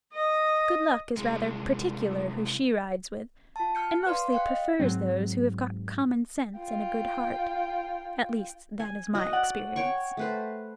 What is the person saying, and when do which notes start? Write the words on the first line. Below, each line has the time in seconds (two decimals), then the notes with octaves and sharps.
"Good Luck is rather particular who she rides with, and mostly prefers those who have got common sense and a good heart; at least that is my experience."
0.13 D#5
1.17 C2 G#3
3.56 F4 A5
3.75 F6 G6 C#7
4.06 B4 D5 F5 C6
4.33 F5 G5 F#6
4.46 D#5
4.79 G#2 F#3 C4
6.58 F4 G5
8.80 G#5
9.15 F#4 D#5
9.33 D5 F#5
9.76 C#5 G5 C#6
10.17 A3 B4 C5